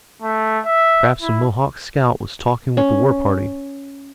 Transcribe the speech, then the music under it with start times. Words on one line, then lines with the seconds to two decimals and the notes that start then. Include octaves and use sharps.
"Perhaps a Mohawk scout was talking with the war-party."
0.22 A3
0.65 E5
1.21 E4
2.77 C#4